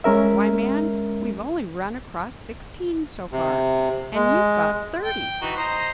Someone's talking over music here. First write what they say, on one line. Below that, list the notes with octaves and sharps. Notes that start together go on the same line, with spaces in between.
Why, man, we've only run across sixteen so far, and you've got thirty.
G#3 C#4 A#4 E5
C3
G#3
G5
E3 D#4 F#4
C5 D#5 A#5